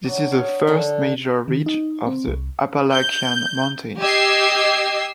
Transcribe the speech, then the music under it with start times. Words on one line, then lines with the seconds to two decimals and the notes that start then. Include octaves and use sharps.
This is the first major ridge of the Appalachian mountains.
0.04 F#3 D4
0.32 C#5 D#5 F5
0.67 D3 A4
1.48 D#3
1.66 D#4
2.07 C4
2.28 C2
2.92 G6
4.00 G4 D#5 E6 G#6 C7